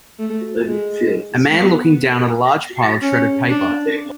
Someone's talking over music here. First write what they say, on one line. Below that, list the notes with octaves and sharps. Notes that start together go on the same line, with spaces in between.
A man looking down at a large pile of shredded paper.
A3
G#3
B3
C#4
D4